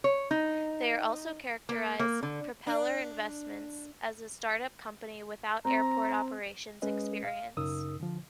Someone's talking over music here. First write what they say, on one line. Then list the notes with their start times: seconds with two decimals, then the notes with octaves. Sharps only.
They also characterized Propeller Investments as a startup company without airport operations experience.
0.04 C#5
0.31 D#4
1.69 A#3
2.00 A#3
2.23 D3
2.67 D4
5.65 C4 A#5
6.82 G#3 C#4 G#4 B4 D#5
7.25 F5
7.57 F#2 C#3 D#4 A#4 D#6 E6
8.00 D3 F3